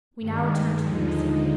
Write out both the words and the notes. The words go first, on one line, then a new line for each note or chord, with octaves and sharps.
We now return to the nursery.
G2 D#3 G#3
D#2 D3 F3 G#3 D#4